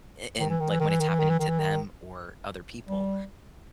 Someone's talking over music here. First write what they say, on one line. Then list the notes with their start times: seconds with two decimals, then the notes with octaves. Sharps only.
a and, like, when it's happening to them or other people,
0.40 D#3
0.50 E3
0.60 D#3
0.70 E3
0.80 D#3
0.89 E3
1.00 D#3
1.09 E3
1.19 D#3
1.30 E3
1.40 D#3
1.49 E3
1.59 D#3
2.87 G3